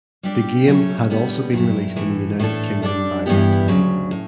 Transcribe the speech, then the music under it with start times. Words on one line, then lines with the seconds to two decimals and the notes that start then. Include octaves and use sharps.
The game had also been released in the United Kingdom by that time.
0.23 G3 D4 G4 D5
0.67 F#3 A3 C#4
1.10 D3 G3 B3
1.53 G2 F#3 A3 E4
1.96 A2 E3 A3
2.39 A2 E3 A3 D4 A4
2.82 G3 D4 A4 D5
3.26 G2 E3 B3 E4 G4
3.68 D2 C#3 F#3
4.11 A2